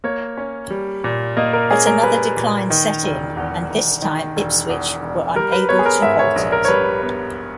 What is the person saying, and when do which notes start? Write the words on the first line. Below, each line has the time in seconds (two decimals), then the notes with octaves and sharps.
But another decline set in, and this time Ipswich were unable to halt it.
0.04 A#3 C#5
0.37 C#4
0.70 G3
1.04 A#2
1.37 A#3 D#5
1.53 A#4
1.70 C#4 G#4
1.87 A#4
2.03 G3 B4
2.37 A#2
2.70 D#3
3.03 E1
3.37 E2
3.70 E1
4.02 D#3
4.36 E1
4.69 E2
5.02 E1
5.35 G3 A#4
5.52 B4
5.69 B3 C#5
5.79 G#4
5.86 A#4
6.02 G#2 E5
6.19 C#5
6.36 A#1
6.52 A#4
6.65 C#5
6.68 G3 B4
7.02 B3